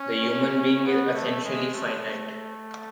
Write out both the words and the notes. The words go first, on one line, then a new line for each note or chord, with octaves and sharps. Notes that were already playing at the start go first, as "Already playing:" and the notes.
The human being is essentially finite.
Already playing: C#4
B3
A3
G#3
A3